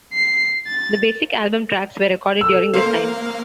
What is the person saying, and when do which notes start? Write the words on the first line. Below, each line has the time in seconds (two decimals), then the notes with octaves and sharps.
The basic album tracks were recorded during this time.
0.13 C7
0.67 A6
2.41 A4 E6
2.73 A#3 C5 F5